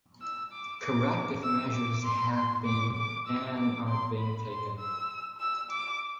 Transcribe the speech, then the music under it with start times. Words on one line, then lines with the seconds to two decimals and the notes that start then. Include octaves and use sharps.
Corrective measures have been and are being taken.
0.21 E6
0.53 D6
0.83 D6
1.43 E6
1.74 D6
2.05 C6
2.35 C6
2.66 D6
2.96 D6
3.27 E6
3.57 D6
3.88 C6
4.19 B5
4.49 C6
4.79 E6
5.40 E6
5.71 D6